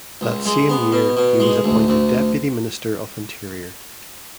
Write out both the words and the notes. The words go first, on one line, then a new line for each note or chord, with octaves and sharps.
That same year he was appointed deputy minister of Interior.
C#2
G#3
B3
B2
B2
G#3
D2
D2